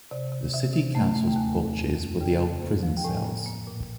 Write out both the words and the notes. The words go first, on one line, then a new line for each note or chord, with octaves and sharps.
The city council’s porches were the old prison cells.
C3 D5
C3
C3 E5
C3
A3
A3
G5
D#2 G#5
D#2
F2
F2
C#3 G5
F2
A#3
F3
G5
A2 G#5
A#3
A#3
A#2